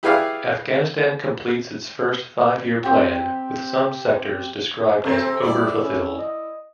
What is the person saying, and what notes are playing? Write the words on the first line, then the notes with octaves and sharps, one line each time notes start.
Afghanistan completes its first five-year plan, with some sectors described as over-fulfilled.
E4 G4 G#4 B4 D5 F5
C4 G4
C3 C4 A4
G3 E4 D5
C#4
D#5